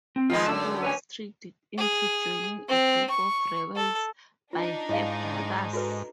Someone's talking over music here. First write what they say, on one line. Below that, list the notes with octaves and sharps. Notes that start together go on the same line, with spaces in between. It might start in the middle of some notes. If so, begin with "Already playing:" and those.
Abo was tricked into joining a group of rebels by her brothers.
C4
D#3 F3 B3 F4 D#5
F#2 D3 A5
B4 C#5 G#5
G#4
C4
C#6
A4
D4 D#4 F4
G#2 E4 D#5 F5
F#4 A4 B4